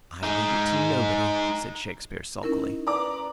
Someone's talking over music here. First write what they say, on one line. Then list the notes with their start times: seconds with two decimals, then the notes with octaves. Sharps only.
"I leave it to nobody," said Shakespeare, sulkily.
0.23 G#3 D#4
2.43 C#4 D#4 E4 A#4
2.87 B4 D5 A#5 C6 D6